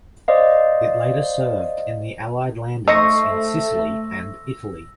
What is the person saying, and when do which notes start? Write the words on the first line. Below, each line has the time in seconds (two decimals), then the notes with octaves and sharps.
It later served in the Allied landings in Sicily and Italy.
0.28 C5 D5 D#5 F5
2.88 A3 D#4 C5 C#6 D#6 E6 A#6